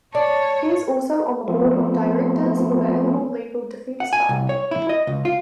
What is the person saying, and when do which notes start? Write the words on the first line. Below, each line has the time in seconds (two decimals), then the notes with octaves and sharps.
He is also on the Board of Directors for the Animal Legal Defense Fund.
0.15 C#5 D5 A5
1.48 F3 A3 B3 C4
4.00 F#5
4.13 G#5
4.29 C2
4.49 C#5
4.71 E4
4.89 D#5
5.07 C#2
5.25 F4